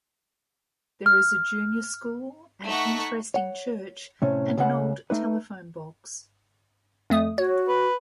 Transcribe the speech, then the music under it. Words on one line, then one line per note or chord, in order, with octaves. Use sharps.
There is a Junior School, an interesting church and an old telephone box.
F6
A3 D#4 F#5 C#6 B6
C#5 F#5
A2 C3 C#4
C#2 C#3 F#5 B5
A3 D#4 B4
F2 A3 D#6
F#4 C#5
B4